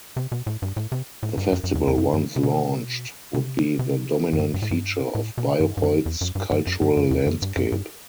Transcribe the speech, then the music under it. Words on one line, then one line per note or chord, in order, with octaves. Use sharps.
The Festival, once launched, would be the dominant feature of Bayreuth's cultural landscape.
C3
B2
A2
G2
A2
C3
A2
G2
F#2
F#2
E2
E2
F#2
G2
C3
B2
C3
C3
F#2
G2
G2
A2
G2
A2
B2
G2
G2
F#2
E2
F#2
G2
G2
F#2
G2
F#2
E2
F#2
G2
F#2
G2